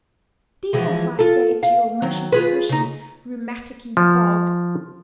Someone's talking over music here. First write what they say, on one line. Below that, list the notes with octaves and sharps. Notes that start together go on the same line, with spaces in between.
Be off, I say, to your mushy-squshy, rheumaticky bog.
E3 F3 G#3
F4 A4
F5
D#3 F#3
F4 G#4 B4
C#3 D#4
F3